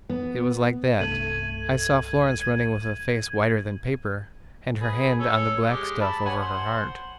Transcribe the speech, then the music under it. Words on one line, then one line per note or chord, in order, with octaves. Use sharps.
It was like that--I saw Florence running with a face whiter than paper and her hand on the black stuff over her heart.
B3
C2 G2 A3 G#6 D#7 F#7
G#4 B4
A4 C#5
G#3 G4
A5 B5
C#5 F#5 G#5
C5 F#5